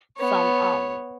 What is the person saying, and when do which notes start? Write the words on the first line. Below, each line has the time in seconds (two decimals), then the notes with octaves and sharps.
some, um,
0.16 B3 C#5